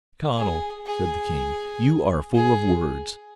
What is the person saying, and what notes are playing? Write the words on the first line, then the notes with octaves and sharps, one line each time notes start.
Conall," said the king, "you are full of words.
G#4
G#4
G#4